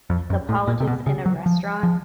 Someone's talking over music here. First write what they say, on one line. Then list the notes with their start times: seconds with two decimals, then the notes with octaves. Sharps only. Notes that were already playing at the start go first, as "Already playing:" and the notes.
the politics in a restaurant,
0.10 F2
0.30 F#2
0.49 A2
0.68 A#2
0.80 C3
0.87 B2
1.06 C#3
1.26 F#3
1.46 F3
1.83 F3